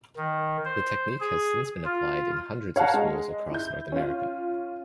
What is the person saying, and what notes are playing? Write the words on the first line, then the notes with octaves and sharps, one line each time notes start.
The technique has since been applied in hundreds of schools across North America.
D#3
C5
G#4
F4
C#5 F5 F#5 A5 A#5
G#3
E4 G6
C#4 F4